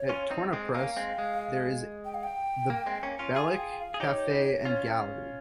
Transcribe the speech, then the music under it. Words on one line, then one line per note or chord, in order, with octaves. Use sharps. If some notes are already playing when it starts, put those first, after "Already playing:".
At Tornapress there is the "Bealach Cafe and Gallery".
Already playing: C#5
C#4 F4
C4 D#4
G#3 C4
A#3 C#4 F5
G#3 C4
G#3
G5
F5
G5
A#3
G#3 C4
A#3 C#4
C#4 F4
F4 G#4 G#5
G5
F5
G#4
D#4 G4 C#5
C#4 F4